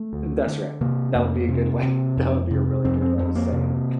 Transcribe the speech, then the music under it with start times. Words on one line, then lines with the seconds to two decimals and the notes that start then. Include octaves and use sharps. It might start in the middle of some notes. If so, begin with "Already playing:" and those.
That's right. That would be a good way. That would be a really good way to say it,
Already playing: A3
0.13 D2
0.47 D3
0.81 C3 A#3
1.14 F2 A#3
1.48 C3
1.83 C3
2.17 F2
2.50 C3
2.85 F2 C4
3.01 C4
3.18 F2 C4
3.36 A#3
3.52 C3